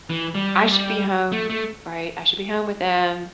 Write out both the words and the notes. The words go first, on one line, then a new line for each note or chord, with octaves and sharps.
"I should be home, right? I should be home with him,
E3
G3
A3
A3